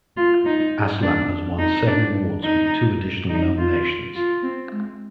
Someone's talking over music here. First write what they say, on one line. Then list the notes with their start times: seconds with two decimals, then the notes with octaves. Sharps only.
Aslam has won seven awards with two additional nominations.
0.17 F4
0.45 D#4
1.02 D4
1.59 D#4
1.87 D4
2.44 D#4
3.29 D#4
3.58 F4
4.15 F4
4.43 C4
4.71 G#3